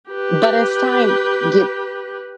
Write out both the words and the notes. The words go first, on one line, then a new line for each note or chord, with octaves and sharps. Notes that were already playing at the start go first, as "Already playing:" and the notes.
but as time gets
G4 B4